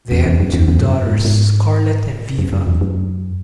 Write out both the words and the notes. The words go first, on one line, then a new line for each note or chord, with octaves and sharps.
They have two daughters, Scarlett and Viva.
E2
E2
F#2
E2
E2
G#2
F#2
G#2
G#2
F#2
F#2
E2
F#2